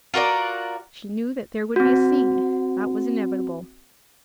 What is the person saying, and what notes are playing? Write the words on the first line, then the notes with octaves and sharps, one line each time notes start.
She knew that there would be a scene; that was inevitable.
F4 F#4 A#4 D5
C4 F#4